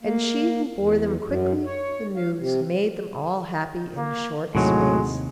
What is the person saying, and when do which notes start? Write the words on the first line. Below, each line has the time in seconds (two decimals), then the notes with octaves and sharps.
And she who bore them quickly the news made them all happy in a short space.
0.03 A#3
0.77 E2
1.24 F#2
1.66 C#5
2.16 F5
2.39 C3
3.97 A#3
4.55 D#2 A2 C3 D#3 F#3 G#3